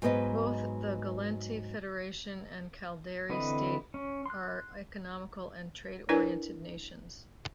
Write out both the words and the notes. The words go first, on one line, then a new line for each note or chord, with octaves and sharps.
Both the Gallente Federation and Caldari State are economical and trade oriented nations.
G#2 F#3 B3 B4 D#5
D3 E3 C4 B4 D#5
C#4
C6 F#6
D4 E4 A#4 B4 D5 G#5